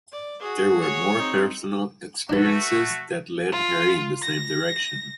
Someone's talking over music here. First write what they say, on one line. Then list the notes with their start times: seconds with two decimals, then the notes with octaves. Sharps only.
There were more personal experiences that led her in the same direction.
0.12 D5
0.41 F#4 G#4
0.81 C#5
1.16 C4 D#4
2.29 A3 D4 F#4 B4
3.51 F4
4.22 A#6